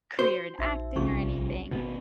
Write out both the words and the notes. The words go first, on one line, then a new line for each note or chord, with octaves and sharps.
career in acting or anything.
F#4 C5
A#1 D#4 E5 E6
C2 F3 C#4 G#4 C#6
G#1 B2